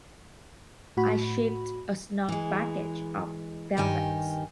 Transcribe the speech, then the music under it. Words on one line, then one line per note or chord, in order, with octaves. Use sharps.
I shipped a snug package of velvets.
A2 F#4 B5
E3 G#3
G2 D#3 G4 G#5